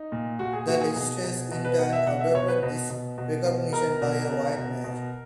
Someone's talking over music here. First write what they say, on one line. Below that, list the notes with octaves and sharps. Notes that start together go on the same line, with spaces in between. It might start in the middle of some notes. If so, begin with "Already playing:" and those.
The legislature in turn adopted this recommendation by a wide margin.
Already playing: D#4
A#2
A#2 F#4
G#4
A#2 F#4
G#4
B2
B2
B2
B4
B2 F#5
E5
B2 F#5
E5
B2 C#5
B4
B2
B2
B2
B2
B2 A#4
B2
B2
B2
B2